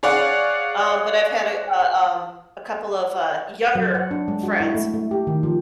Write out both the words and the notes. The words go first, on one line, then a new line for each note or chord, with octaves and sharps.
Um, but I've had a a, um a couple of, uh, younger friends,
G#4 C#5 D5 F5 F#5
F#3
F#5
D4
G#3
F#4
E4
A3
A3
G4
D#3
F3